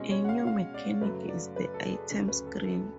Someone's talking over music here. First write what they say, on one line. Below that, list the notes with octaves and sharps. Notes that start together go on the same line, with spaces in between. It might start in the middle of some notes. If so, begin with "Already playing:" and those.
A new mechanic is the item screen.
Already playing: B2 G#3 C#4
C#5
F#5
F5
F5
D5
F#2 C#3 F#3 A3 B4
D5
B4
A4
G#4
D2 C#3 F#3 C#4 A4
B4
A4
A4